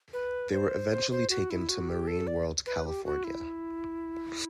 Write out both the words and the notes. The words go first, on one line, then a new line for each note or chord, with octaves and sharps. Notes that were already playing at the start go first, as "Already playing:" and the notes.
They were eventually taken to Marine World California.
B4
C5
C5
C5
F#4
E4
F#4
G4
A4
D5
B4
G4
F#4
E4